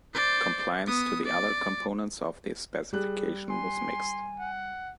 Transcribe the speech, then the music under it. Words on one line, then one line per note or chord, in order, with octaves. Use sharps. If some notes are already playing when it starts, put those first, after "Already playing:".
Compliance to the other components of the specification was mixed.
C5 D5
B3 D#6
D5
G3 G#4 F#6
G#5 C6
F#5